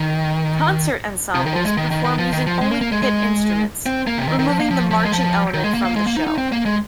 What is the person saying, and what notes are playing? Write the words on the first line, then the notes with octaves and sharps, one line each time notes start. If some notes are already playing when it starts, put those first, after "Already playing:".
Concert ensembles perform using only pit instruments, removing the marching element from the show.
Already playing: D#3
C3
D#3
F3
G#3
D#3
D#3
D#3
F3
D#3
F3
G#3
A#3
A#3
G#3
G#3
C4
A#3
C3
D#3
D#3
F3
A#3
F3
F3
G#3
F3
D#3
G#3
A#3
A#3
G#3
A#3
D#4
D#4
C4
A#3
G#3